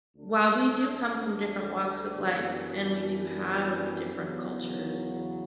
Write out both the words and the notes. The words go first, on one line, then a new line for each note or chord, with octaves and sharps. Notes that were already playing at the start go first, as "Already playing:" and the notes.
while we do come from different walks of life, and we do have different cultures,
D2 D3 A3 D4 A4
F#2 E3 B3 D4 G4
E2 C#3 F#3 B3